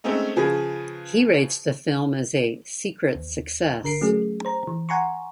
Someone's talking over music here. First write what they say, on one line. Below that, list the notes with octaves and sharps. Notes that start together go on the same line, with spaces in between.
He rates the film as a "secret success".
G#3 A3 C4 C#4 D#4
C#3 F3 G#4 B4
D#2
G1 D3 A#4 C7 D7
F#3 A3 C#4 G#4
C5 A#5
E3
F#5 G#5 A#5 C6 C#6